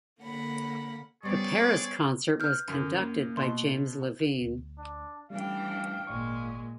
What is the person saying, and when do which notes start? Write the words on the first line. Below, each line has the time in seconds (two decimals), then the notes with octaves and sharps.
The Paris concert was conducted by James Levine.
0.21 D3 A#3 F#5 B5
1.23 F#3 G3 B3 C#4 G#4 C5 D5 C#6
2.40 B4 F6 G6
2.68 F#2 D3
2.96 A#3
3.37 B2 C6
4.41 D2
4.78 D4
5.30 E3 G3 A3 C#4 D4 F5 G5
6.07 G#1 A#2 G#3 D5 C#6